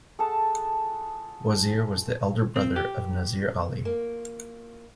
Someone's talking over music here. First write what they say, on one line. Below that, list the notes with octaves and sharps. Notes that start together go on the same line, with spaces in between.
Wazir was the elder brother of Nazir Ali.
G#4 A4 F#5 A5
C4
G4
A#3